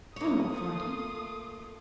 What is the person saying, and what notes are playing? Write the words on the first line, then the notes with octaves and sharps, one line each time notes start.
"I'm not frightened."
A3 A#3 F4 C#5 D#6